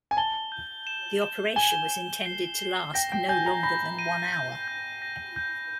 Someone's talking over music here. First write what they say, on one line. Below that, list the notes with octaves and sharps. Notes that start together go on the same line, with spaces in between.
The operation was intended to last no longer than one hour.
G#5
A5 G7
G6
E7
E7
G#5 G7
E7
C7
G7
G5 A#6
G5
G#5 G6
A#5
B5 A#6
D#7
G6
G6
A#6
G6